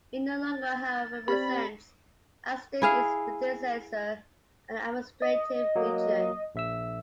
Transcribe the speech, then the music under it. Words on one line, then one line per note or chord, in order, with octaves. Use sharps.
It no longer however represents, as did its predecessor, an administrative region.
A6
C4 G4 B4 D5 B5
E4 G#4 F5
D#5
F#3 A#3
A#1 E5 E6